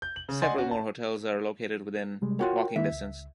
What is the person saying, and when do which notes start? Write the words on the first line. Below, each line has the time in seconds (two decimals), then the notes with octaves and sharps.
Several more hotels are located within walking distance.
0.02 G6
0.16 F#7
0.29 C#3
0.42 D5 D#5 F#5 G#5 C6 A6
0.55 C#4 F#4
0.71 A5
2.22 C3 G3 G#3
2.39 F4 F#4 A#4 C#5 G5
2.76 D#3 A#3 E4 E5
2.92 C#2